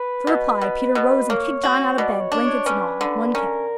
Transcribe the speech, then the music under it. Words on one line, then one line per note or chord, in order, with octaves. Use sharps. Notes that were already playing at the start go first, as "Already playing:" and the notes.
For reply Peter rose and kicked John out of bed, blankets and all; one kick.
Already playing: B4
B2
B2
B2
A#3 C#5
F#4
B2 D5
C#5
D4
C#5
C#4 B4
D3
C#4 A#4